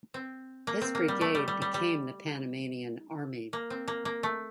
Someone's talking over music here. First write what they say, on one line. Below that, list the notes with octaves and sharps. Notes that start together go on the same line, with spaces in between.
His brigade became the Panamanian army.
C4
A#3
C4
A#3
G3
A3
G3
G3
G3
G3
A#3
C4
A#3
A#3
A3